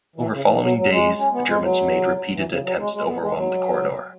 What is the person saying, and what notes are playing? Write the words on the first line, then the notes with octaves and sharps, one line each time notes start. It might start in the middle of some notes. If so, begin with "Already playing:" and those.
Over following days the Germans made repeated attempts to overwhelm the corridor.
E3
C#3
E3
F#3
F#3
G#3
C#4
B3
G#3
F#3
E3
C#3
F#3
G#3
G#3
B3
G#3
F#3